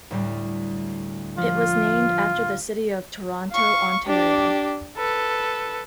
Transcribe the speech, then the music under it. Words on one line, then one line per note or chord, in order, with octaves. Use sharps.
It was named after the city of Toronto, Ontario.
D2 A2 G3
F3 F4
F5 C#6
D4 G4
A4 B4